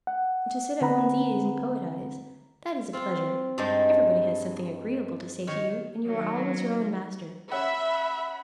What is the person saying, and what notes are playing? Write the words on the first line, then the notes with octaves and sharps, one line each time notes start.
To sit at one's ease and poetise--that is a pleasure; everybody has something agreeable to say to you, and you are always your own master.
F#5
D3 C4 B4 F#5 A#5 B5
C4 F4
G2 G3 G#3 D#4 A5
D#3 C#5
D#3 F#3
C#4 E5 F#5 B5